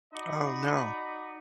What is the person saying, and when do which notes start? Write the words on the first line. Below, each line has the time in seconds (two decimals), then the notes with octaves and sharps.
Oh, no.
0.14 D#4 F#4 D5 D#5 B5